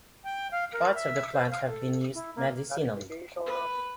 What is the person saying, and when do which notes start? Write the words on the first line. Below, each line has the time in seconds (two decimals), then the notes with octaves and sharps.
Parts of the plant have been used medicinally.
0.24 G5
0.52 F5
0.73 A#4
0.94 E5
1.33 C5
1.51 F5
1.67 A4
2.14 E4
2.36 A#3
3.46 B4